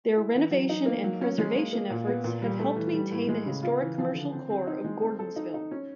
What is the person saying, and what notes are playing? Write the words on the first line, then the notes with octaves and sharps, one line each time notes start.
Their renovation and preservation efforts have helped maintain the historic commercial core of Gordonsville.
E4
E3
F#3
D#4
A#3
F#3
C#4
G#3
A#3
A#3
A#2
B3
A#2
G3
A3
E3
G3
A2
G#3
C#3
F4
E3
F3
D3
C4
C4
D#4
G#3
C4
A4
D#4
D#4
C#4